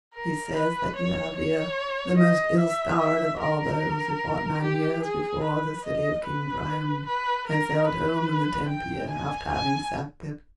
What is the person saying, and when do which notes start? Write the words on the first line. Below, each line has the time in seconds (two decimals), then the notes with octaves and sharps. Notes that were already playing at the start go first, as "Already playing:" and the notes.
He says that you have here the most ill-starred of all those who fought nine years before the city of King Priam and sailed home in the tenth year after having sacked it.
0.13 A#4
0.55 B4
0.96 C#5
1.35 C#5
2.17 D#5
2.58 E5
2.99 E5
3.40 A#4
4.62 G4
5.02 G#4
5.43 B4
5.84 D#5
6.25 B4
7.06 B4
7.47 A#4
7.87 B4
8.69 G5
9.10 G#5
9.50 G#5